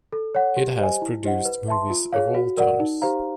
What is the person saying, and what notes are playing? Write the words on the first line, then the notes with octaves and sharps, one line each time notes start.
It has produced movies of all genres.
A4
C#5 F#5
G4
C5 D#5 G#5
E4
G4 C5 D#5 F#5
B4
E5 A5 C6
F4
G#4 C#5 F5
F#4
A#4 D5 F#5
D#4
G4 C5 F5 A#5